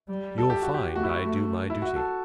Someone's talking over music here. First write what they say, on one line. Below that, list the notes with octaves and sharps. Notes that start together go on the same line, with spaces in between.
"You'll find I do my duty."
G3
A4
G4
F#4
G4
A3 F#4
E4
F#4
A3
E4
F#4
A4